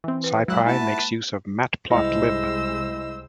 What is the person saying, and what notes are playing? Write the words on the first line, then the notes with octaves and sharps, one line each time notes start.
SciPy makes use of matplotlib.
E3 C4
B4
F#3 G#3 E4 F#6
A#3 E4 F#4 B4 A5
C2 G#3 E4 C5 D#5 E6